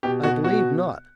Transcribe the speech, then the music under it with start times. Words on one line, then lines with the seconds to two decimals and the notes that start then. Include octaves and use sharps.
"I believe not."
0.03 B2 G4
0.23 B2 F#4
0.44 B2 F#4